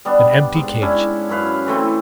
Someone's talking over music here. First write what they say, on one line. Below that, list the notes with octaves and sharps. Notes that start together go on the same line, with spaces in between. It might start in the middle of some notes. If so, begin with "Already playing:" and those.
An empty cage!
G3 B3 D4
G#2
C#4 D4 E4
F#2 E4 B4 F5
E3 A3 C4 E4